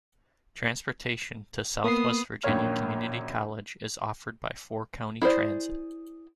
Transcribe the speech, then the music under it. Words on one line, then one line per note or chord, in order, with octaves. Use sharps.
Transportation to Southwest Virginia Community College is offered by Four County Transit.
A#3 B3 D#6 C7
A#1 F#2 D#3 A#3 C#5 F6
E4 G#4 A4 C5 D5